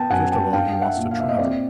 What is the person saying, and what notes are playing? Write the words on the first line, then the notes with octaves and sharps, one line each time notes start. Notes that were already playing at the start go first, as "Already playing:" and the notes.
First of all he wants to travel.
Already playing: B3 G5 A5
F#2 F#5 G#5
G5 A5
D4 F5 G5
G5
E5 F#5
A#2
F5
E5
D#5 F5
C4 D5 E5